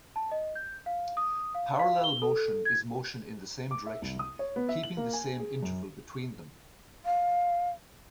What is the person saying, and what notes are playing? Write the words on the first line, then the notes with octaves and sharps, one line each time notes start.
Parallel motion is motion in the same direction, keeping the same interval between them.
A5
D#5
G6
F5
D#6
F5
F5
G7
A4
G#6
D6
E5
C2
D#6
C#5
B3
E5
F#7
A#3
G#5
G#4
F#2
F5